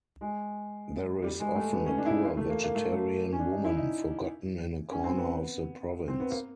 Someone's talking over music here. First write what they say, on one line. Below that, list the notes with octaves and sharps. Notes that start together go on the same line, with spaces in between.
There is often a poor vegetarian woman forgotten in a corner of the province ...
G#3
G3
G#3
A3
B3
C#4
D4
E4
D#4
A#3
A3
A#3
A#3
A3
A3
C#4
D4
D#4
E4
D#4
C#4
C4
B3
C4
B3
A#3